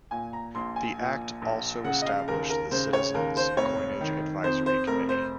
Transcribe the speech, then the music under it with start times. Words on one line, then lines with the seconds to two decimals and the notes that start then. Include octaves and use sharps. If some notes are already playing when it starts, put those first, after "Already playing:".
The act also established the Citizens Coinage Advisory Committee.
0.11 A#2 G#5
0.33 A#5
0.55 A#1 C6
0.76 G#5
0.98 A#2
1.42 A#1
1.84 C#3 F#5
2.02 D#5
2.06 F5
2.28 D#2 A#4
2.50 A#4
2.71 C#3 C5
2.93 C#5
3.14 D#2 A#4
3.37 C5
3.57 F1 C#5
4.01 D#3
4.44 F2 C5
4.66 C5
4.87 F1 A#4
5.09 C5